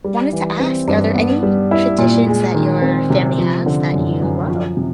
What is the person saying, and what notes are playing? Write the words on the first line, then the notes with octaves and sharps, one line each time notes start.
wanted to ask, are there any traditions that your family has that you love?
G3
E3
C4
G2
B3
G3
E4
A#2
G#3
D#3
C4
C3
F3
D3
F#2
F#2
F3
C3